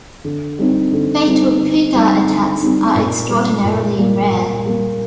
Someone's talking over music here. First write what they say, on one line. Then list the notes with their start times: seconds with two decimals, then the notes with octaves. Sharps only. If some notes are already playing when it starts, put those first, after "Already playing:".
Fatal cougar attacks are extraordinarily rare.
0.24 D3
0.59 G3 C4 D#4
0.92 D3
1.27 G3 C4 D#4
1.61 D3
1.95 G3 C4 D#4
2.28 D3
2.62 G3 C4 D#4
2.95 A#2
3.30 G3 A#3
3.64 A#2
3.98 G3 A#3
4.31 A#2
4.65 G3 A#3